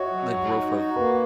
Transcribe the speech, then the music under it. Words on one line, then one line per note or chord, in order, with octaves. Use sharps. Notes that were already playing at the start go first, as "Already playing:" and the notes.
the growth of
Already playing: F#4 C#5 D#5 E5
F#3
F#4
D#4
F#4
A#3 B4